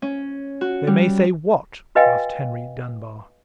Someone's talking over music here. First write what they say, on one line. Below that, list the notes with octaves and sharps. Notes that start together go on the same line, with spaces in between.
"They may say what?" asked Henry Dunbar.
C#4
F#4
G3
F#4 B4 D#5 F5 G5 G#5